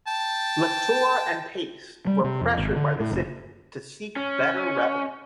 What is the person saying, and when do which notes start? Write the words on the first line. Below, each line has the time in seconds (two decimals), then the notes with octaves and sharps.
Lectoure and Pace were pressured by the city to seek better revenue.
0.08 G5 A5
2.07 G3
2.24 C3
2.41 F2
2.58 G#1
2.76 D3
3.00 A2
3.12 F#1
4.16 C#4